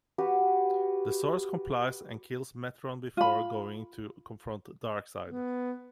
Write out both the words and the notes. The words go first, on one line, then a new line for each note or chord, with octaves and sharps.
The Source complies, and kills Metron before going to confront Darkseid.
F#4 G4 B4
F4 B5
B3